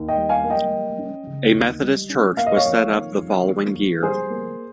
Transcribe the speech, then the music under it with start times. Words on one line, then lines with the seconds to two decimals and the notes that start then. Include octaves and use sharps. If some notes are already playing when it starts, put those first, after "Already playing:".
A Methodist church was set up the following year.
Already playing: D#2
0.08 D#5 G5
0.16 G3
0.29 F5 G#5
0.44 A#3
0.50 D#5 G5
0.70 G3
0.98 C#4
1.27 C#3
1.54 D#2
1.82 G3
2.09 C#4
2.37 A#3 F5
2.46 D#5
2.56 C#5 F5
2.65 F2
2.92 D#3
3.20 F2
3.48 A#3
3.75 F2
4.02 G3 G#4 C5
4.30 A#3